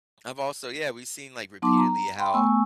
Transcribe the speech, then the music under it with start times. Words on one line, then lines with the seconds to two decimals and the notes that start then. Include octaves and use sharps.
I've also yeah, we've seen, like, repeatedly how
1.62 F#3 B3 D#4 A5 C6 D6
1.77 A#5
2.19 G5 B5 C6
2.34 A3 B3 G#5 C#6 E6